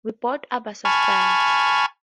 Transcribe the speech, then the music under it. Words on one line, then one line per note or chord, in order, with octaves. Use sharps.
We both abhor suspense.
G#5 A5 B5 C#6 F6